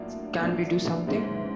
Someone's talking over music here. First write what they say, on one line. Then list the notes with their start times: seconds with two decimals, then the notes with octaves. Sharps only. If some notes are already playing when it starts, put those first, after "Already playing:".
Can't we do something?
Already playing: A2 F#3 A#3 D4 F4
0.42 A2 F#3 A#3 D4 F4
1.07 G#2 E3 G#3 C#4